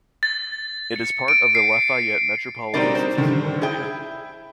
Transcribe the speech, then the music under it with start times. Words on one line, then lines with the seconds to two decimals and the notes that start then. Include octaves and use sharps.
It is part of the Lafayette Metropolitan Statistical Area.
0.23 A6
0.96 C#7
1.28 D7
1.55 C7
2.74 B2 G3 C4 D#4 A#4 D5
2.95 C5
3.17 D3 D#3 G3
3.62 E4 G#4 G5